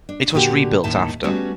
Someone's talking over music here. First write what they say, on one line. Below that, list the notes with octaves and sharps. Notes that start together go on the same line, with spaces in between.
It was rebuilt after.
D4
A#2 D3 F#4 G4
D#2 A2 D#4 E5 A5
G3 A3 B3 C#4 F#4